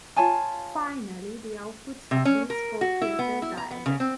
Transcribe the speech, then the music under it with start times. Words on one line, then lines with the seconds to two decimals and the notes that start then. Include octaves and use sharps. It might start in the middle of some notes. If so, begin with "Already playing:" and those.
Finally, the outputs of these four filters are added.
0.16 F4 C#5 G#5 A5
2.11 C3
2.25 C#4
2.50 A#4
2.81 F#4
3.02 E4
3.19 B3
3.42 E4
3.57 A#5
3.71 B3
3.86 C#3
4.00 C4